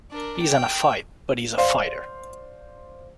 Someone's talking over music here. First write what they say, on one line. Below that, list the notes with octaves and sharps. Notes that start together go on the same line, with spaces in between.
He's in a fight, but he's a fighter.
D4 A#4
G5
C5 D5 F5 C6